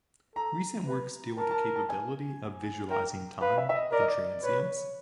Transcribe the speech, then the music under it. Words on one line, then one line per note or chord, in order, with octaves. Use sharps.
Recent works deal with the capability of visualizing time and transience.
A4 A#5
B4
A#4 A5
A5
A5
G#5
A#4 G5
B4 F5
E5
E5
D#5
A#4 D5
D#5
D5
B4 C#5